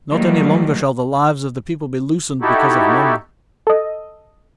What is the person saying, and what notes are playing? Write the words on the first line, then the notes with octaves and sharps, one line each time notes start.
Not any longer shall the lives of the People be loosened because of Mung.
D#3 E3 F#3 G3 A3 A#3
D#4 E4 F#4 G4 A4
A4 D#5